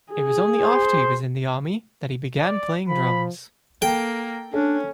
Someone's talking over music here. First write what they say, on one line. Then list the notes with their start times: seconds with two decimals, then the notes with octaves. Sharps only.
It was only after he was in the army that he began playing drums.
0.12 G#4
0.60 C5
2.42 D5
2.89 F3 B5
3.82 A#3 A4 G5
4.54 C#4 D4 A4